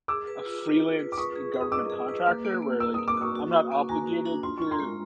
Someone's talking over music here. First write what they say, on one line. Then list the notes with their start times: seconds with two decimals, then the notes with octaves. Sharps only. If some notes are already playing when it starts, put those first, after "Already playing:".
a freelance government contractor where, like, I'm not obligated to
0.08 G#4 D6 E6
0.27 B4
0.45 F4
0.63 F4
0.81 F4
0.99 B4
1.12 D6
1.17 B4 C#6 D#6
1.35 G#4
1.54 G#4
1.61 D#6
1.72 D#5 D6 E6
1.90 G#4
2.09 B4
2.26 A#3
2.45 A#3
2.62 A#3
2.80 A#3 E6
2.94 A#3 D#6
3.08 D6
3.17 F#4 C#6 D#6
3.35 F#4
3.53 F#4
3.72 A#3
3.89 F#4 G#5 A#5
4.07 F#4
4.26 D4
4.43 F4 C6
4.58 F4 C#6
4.71 A#5 C6
4.80 G#3